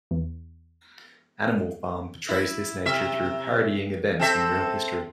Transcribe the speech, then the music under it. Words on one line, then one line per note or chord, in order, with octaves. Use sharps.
"Animal Farm" portrays this nature through parodying events in real history.
E2
E4
C3 E5
C4 A4 E5